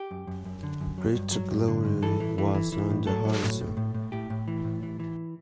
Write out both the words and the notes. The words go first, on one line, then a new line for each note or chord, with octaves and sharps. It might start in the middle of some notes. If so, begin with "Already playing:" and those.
Greater glory was on the horizon.
Already playing: G4
F#2
F#2
F#2
D3
F#2
F#3
G2
F#3
G2
D3
G2
E3 A4
E3
E3
E3
E3
A2
F#3 A4
F#3
A2
A2
A2
A2
A2 G4
A2
E3
A2
E3
E3